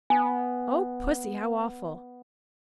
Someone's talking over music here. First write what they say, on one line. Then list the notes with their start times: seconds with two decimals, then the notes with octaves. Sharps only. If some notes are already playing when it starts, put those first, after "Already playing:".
'Oh, Pussy, how awful!
0.10 B3 G#5